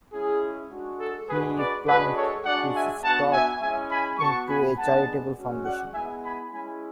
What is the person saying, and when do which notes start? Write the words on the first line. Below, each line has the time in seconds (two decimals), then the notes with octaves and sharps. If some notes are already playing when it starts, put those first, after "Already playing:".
He plunked his stock into a charitable foundation.
0.13 G#3 C#4 E4 G#4
0.71 G#3 D4 F#4
1.00 A4
1.29 G#3 D4 F#4 G#4 B4
1.58 B4 D5
1.87 G#3 D4 F#4 G#4 B4
2.16 A4 C#5
2.45 G#3 D4 F#4 D5 F#5
2.74 E5 G#5
3.04 B3 D4 F#4 F#5 A5
3.32 E5 G#5
3.61 G#3 C#4 E4 E5 G#5
3.90 G#5 B5
4.19 B3 F#4 A5 C#6
4.49 G#5 B5
4.78 G#3 B3 D4 F#5 A5
5.36 G#3 C#4 F#4
5.65 D5 F#5
5.93 G#3 B3 E4 E5 G#5
6.23 G#5 B5
6.52 G#3 C#4 E4 G#5 B5